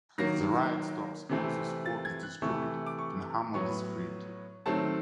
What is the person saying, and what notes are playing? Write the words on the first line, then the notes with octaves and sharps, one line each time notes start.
The riot stops once the spore is destroyed and Hammond is freed.
D#3 F#3 A#3 A#6
C3 E3 A3 C4
A6
G#6
F#6
C3 E3 A3 C#6
D6
C#6
A2 F#3 B3 C#6
D#3 F#3 A3 C4 A5